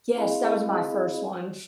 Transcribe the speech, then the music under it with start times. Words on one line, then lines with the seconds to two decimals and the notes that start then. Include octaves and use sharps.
Yes, that was my first one.
0.16 C4 E4 G#4 D#5 F5 B5